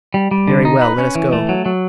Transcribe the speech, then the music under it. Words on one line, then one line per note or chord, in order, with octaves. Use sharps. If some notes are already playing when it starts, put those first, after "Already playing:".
"Very well; let us go."
G3
G3
D3
D#4
B4
C#4
E3
A3
F#3
F#3